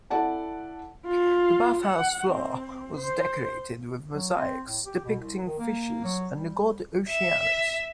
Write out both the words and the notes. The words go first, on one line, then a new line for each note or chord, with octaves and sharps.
The bath house floor was decorated with mosaics depicting fishes and the god Oceanus.
E4 A4 D5 F#5 A5
F4
F#5
C4
C5
F#3
C4
A2
G4
B2
C2
D#3
A#3
F#3
G3
E5